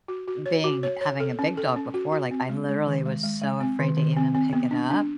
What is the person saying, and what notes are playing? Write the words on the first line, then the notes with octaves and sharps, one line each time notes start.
being having a big dog before, like, I literally was so afraid to even pick it up
F#4
F#4
C#5
F#4
C#5
C#5
A4
C#4
A4
C#4
F#4
F#4
C4
G#3
G#3
D#3
G#3
G#3
G#3
C4
D#3
D#3
C4
C4
B3
D4
D4